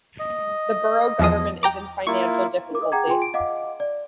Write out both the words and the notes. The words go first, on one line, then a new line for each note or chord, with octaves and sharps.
The borough government is in financial difficulty.
D#5
E2 F3 D#6
G5 A#5 D6
A#3 E4 F4 C#6
D6
G#4 F#5 G5 A#5 D6 G#6
F4 G#4 G5 G#5 C6
D7
D#5 F5 F#5 D6
D5